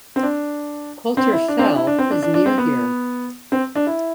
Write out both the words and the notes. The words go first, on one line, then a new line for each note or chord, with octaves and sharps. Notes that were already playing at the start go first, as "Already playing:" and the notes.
Coulter Fell is near here.
C4
D4
C4
E4
D4
C4
D4
E4
D4
C4
D4
D4
D4
C4
B3
C4
D4
E4